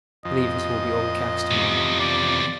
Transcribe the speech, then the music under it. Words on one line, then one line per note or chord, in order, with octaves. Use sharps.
I believe it will be overcast to-morrow.
F2 D#5
E2 C3
D5